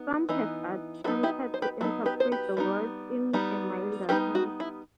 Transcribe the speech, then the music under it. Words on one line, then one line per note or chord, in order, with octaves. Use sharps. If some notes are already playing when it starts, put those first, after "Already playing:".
Some have attempted to interpret the words in a milder sense.
Already playing: B3 D#4
E3 B3 D#4
F#3 B3 D#4 F#4 A4
E4 G4
C5
G4 B4
F#3 B3 D#4 F#4 A4
G4 B4
C5
G4 B4
G3 B3 D#4
G3 B3 D#4
G3 B3 D#4 G4 B4
F#4
E4